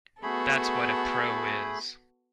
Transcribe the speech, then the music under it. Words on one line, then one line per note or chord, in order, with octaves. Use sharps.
That's what a pro is.
A3 B3 F#4 G#4 A4 B5